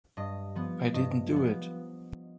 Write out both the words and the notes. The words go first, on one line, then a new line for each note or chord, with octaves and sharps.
I didn't do it.
G2 D#5
F3 B3
G2 D#5
F3 B3